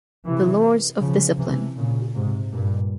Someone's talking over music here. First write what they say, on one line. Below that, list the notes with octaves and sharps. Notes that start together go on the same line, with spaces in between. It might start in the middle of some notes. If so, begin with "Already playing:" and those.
"The Lords of Discipline".
C3 E3
C#3 F3
C3 E3
A#2 C#3
G#2 C3
G2 A#2